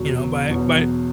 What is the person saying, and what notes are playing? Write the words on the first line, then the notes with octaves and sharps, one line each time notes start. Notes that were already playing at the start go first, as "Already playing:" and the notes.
You know, by by
Already playing: E2 B2 F#3
E2 B2 F#3